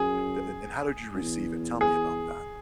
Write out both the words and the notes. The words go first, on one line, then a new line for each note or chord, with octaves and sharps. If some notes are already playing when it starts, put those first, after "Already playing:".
The and and how did you receive it? Tell me about that.
Already playing: F#2 G#4
F#2
E2
G#4